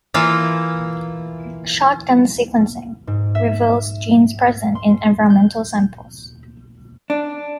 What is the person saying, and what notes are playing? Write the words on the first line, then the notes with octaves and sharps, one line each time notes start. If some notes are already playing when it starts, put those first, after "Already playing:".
Shotgun sequencing reveals genes present in environmental samples.
E3 A#3 E4 F4
G#2
E5
C6
G6
D4